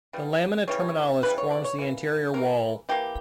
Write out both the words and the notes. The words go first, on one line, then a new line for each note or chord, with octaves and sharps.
The lamina terminalis forms the anterior wall.
C#3 E3 G3
C#3 E3 G3 C#5
C#3 E3 G3 B4
C#5
D5
C#5
E3 A#3
E3 A#3 A#4
E3 A#3 G4